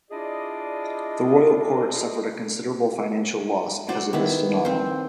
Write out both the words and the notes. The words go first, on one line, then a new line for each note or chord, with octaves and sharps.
The Royal Court suffered a considerable financial loss because of this denial.
D4 E4 F4 G#4 D5 D#5
F#4 C5 D5
D#3 B3 E4
C4 C5